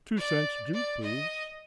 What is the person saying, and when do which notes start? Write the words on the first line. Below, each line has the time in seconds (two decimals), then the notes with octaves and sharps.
"Two cents due, please."
0.17 D5
0.74 D5
1.02 D#5